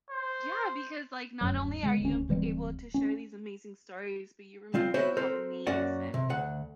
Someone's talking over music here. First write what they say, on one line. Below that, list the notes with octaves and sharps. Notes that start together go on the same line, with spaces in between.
Yeah, because, like, not only are you ab able to share these amazing stories, but you reme recall the names and
C5
D1 F#2 F#3
C#3 G#3
D#1 D2 C#4
D1 E3 G3 C4
C#4
G3 C4 F4
B3 E4 F#4 C5 C#5
C4 A4 A#4 C5
F#2 A#3 C#4 F#4 D5 F#5
C3
D2 F#5